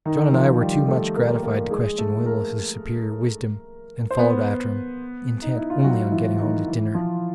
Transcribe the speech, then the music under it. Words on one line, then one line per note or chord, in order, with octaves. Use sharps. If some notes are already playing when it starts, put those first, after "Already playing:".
John and I were too much gratified to question Willis's superior wisdom and followed after him, intent only on getting home to dinner.
D#3 D#4
F3 F4
G3 G4
A3 A4
A#3 A#4
A#3 A#4
G#3 G#4
A3 A4
A#3 A#4
C5
B3 B4
D#4
E4
F4
F#3 F#4
E3 E4
D#3 D#4
E3 E4
F3 F4